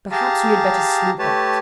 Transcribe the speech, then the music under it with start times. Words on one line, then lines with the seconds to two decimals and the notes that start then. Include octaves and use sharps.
Perhaps we had better sleep on it.
0.11 G4 G#4 F5 A5 A#5
1.19 A3 G4 B4 C#5 A5